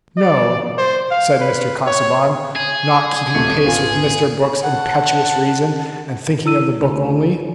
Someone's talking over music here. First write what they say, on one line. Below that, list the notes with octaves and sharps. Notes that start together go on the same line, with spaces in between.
"No" said Mr. Casaubon, not keeping pace with Mr. Brooke's impetuous reason, and thinking of the book only.
D5
C5
F5
B4
C#5
G#4
D#1 A3 C4 C#7
D1 G#1 B3 C#4 F4 G#5
F#5 A5
E4 E6 D#7
D2